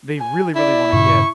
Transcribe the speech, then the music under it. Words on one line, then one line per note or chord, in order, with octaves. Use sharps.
they really, really wanna get,
G#5
E4 D5
G2 A#2 C#3 C#6